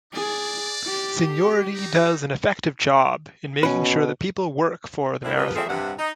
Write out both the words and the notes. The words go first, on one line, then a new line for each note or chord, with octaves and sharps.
Seniority does an effective job in making sure that people work for the "marathon".
D4 G#4 D5
G4
B3 D#4
B2 C#4 B4
D2 G2 D3 D#3 C4 E4
C3 F3 B3 G4 A#4 B4
F3 C4 F4 G#4 A4 E5
G2 C3 F#5
D#4